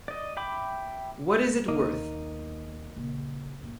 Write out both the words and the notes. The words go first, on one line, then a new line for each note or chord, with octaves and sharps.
What Is It Worth?
D5 D#5
E5 G5 B5 D6
D#2 A#3 B3 D#4
A#1 C#3
G2 A#2